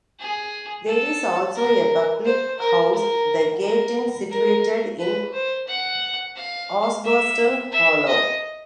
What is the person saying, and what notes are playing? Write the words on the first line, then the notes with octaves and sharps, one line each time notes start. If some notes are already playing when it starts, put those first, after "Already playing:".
There is also a public house, The Gate Inn, situated in Osbaston Hollow.
G#4
A4
A#4
C5
A#4
A#4
A#4
A#4
B4
C5
F#5
F5
E5
E5
D#5